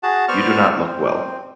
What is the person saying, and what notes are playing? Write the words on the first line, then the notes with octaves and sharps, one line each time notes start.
You do not look well.
F#4 G#4 F#5 A5
B3 C5 D5 C#6 F6
C4